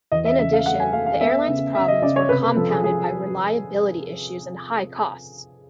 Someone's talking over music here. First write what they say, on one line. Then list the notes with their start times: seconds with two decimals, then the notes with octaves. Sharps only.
In addition, the airline's problems were compounded by reliability issues and high costs.
0.12 E2 D#5
0.25 E5
0.39 C#3 E5
0.53 F5
0.66 A3 F#5
0.80 G#5
0.93 A3 F5
1.06 F5
1.21 B3 E5
1.48 C#3
1.75 C#3 E5
1.88 D#5
2.02 C#3 D5
2.16 C#5
2.29 C3 B4
2.43 B4
2.56 F3 A4
2.70 G#4
2.84 F3 G#4